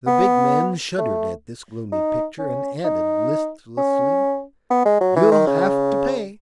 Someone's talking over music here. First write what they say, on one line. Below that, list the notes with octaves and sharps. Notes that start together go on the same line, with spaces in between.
The big man shuddered at this gloomy picture, and added, listlessly: "You'll have to pay."
B3
A3
D#4
C#4
D#4
C#4
B3
G#3
F#3
E3
D#3
C#3